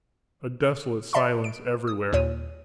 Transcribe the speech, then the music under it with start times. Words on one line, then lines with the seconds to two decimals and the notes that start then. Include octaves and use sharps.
A desolate silence everywhere.
1.13 D5 E5 A5 B5 C6
1.44 D7
1.87 D#6
2.13 D#2 A#2 C#5 D#7